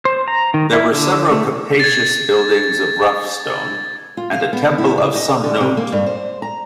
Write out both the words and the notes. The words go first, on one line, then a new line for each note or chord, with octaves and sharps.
There were several capacious buildings of rough stone...and a temple of some note.
C5
A#5
D#3
E4
D3
A3
G#6 A6
F4
F5
B3
E4
C#3
D#5
D3
C3
A#3
G2
C5
A#5